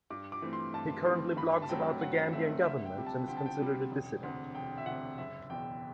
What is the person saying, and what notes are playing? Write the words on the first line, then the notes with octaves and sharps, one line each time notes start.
He currently blogs about the Gambian government and is considered a "dissident".
G2 D6
D6
E3 A3 C4
C6
G2 A5
E3 A3 C4 C6
G2 B5
A5
F#3 A3 C4 G5
G2 F#5
F#3 A3 C4 E5
D2 E5
G5
C3 G3
A5
D2 G5
A5
G5
C3 G3
E1
D2 C3
E1 G5
E5
D2 C3 F#5
F#1 E5
E2 B2 G5